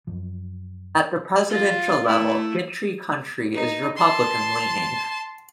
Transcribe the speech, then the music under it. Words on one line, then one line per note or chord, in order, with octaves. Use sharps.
At the presidential level, Gentry County is Republican-leaning.
F#2 F3
F4
A3 E4
D#4
A5 C6